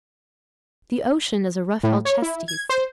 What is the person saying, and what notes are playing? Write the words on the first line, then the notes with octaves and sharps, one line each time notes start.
The ocean is a rough Alcestis.
A2
C#5
E4
G#6
C5